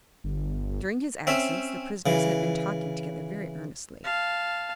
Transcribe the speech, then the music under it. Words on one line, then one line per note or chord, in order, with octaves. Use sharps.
During his absence the prisoners had been talking together very earnestly.
G1
C4 C#4 E5
C#3 E3
F5 A5